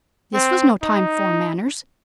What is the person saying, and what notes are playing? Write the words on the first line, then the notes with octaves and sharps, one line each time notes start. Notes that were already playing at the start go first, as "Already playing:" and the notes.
This was no time for manners.
C4
D#4